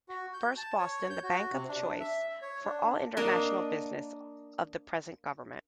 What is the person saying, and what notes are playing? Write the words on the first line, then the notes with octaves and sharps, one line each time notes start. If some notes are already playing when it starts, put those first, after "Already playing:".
First Boston the bank of choice for all international business of the present government.
F#4
G6
A5
C#5
G6
F#4
C3
D4
E5
C#5
D4
A#3 D4 D#5